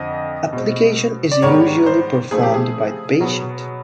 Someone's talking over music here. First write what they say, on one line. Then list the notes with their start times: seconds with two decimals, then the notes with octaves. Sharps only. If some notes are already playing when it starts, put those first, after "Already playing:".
Application is usually performed by the patient.
Already playing: F2 D3 F3 D#5
0.53 B2 G#3 C4
1.31 D5
1.42 G#2 D#3 G3 B3 C#5
1.86 C5
2.31 C#3 F3 A3 C4 G#4
2.43 G4
2.54 G#4
3.20 B2 F#3 B3